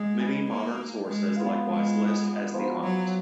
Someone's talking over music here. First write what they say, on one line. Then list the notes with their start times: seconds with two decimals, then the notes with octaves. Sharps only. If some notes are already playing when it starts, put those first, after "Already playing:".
Many modern sources likewise list as the height.
Already playing: F#3 G#3
0.19 D#4 G#4 B4
0.48 A#3
1.07 G#3
1.36 B3 F4 B4 F5
1.66 G#3
2.54 F3 B3 F#4 A#4
2.83 F#3